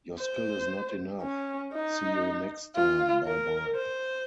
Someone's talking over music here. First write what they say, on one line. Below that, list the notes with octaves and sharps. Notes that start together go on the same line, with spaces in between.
Your skill is not enough, see you next time, bye-bye!
C5
C#4
D#4
F4
A#4
C5